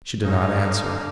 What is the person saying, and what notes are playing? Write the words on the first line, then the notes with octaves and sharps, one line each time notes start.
She did not answer.
G#2 D3 C#4 D#4 D#5 F5